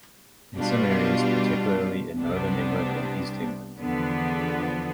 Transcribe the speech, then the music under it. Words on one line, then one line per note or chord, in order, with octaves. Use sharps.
In some areas, particularly in northern England and East England.
B2 G3 D4 F4
C2 C3 G3 B3 D4
E2 D3 F3 B3